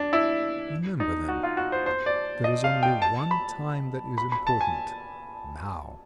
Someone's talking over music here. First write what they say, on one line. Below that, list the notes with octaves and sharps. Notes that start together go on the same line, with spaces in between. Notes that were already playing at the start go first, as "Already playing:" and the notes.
Remember then: there is only one time that is important--Now!
Already playing: D4
E4
D#4
F#4
F4
F#4
C5
C5
D5
D#5
F5
G5
A5
B5
B5
B5
A5
G#5